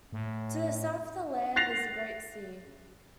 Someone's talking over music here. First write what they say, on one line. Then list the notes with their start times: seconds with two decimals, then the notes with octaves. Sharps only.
To the south of the land is the Great Sea.
0.13 A2
1.56 F#6 A6 A#6 C7 F7